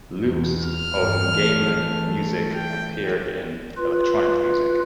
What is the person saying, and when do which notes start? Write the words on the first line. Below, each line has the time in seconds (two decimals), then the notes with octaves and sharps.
Loops of gamelan music appear in electronic music.
0.20 E2
0.61 F6
0.99 G2 G3
1.31 E3 A3
2.55 G5
3.77 F4 B4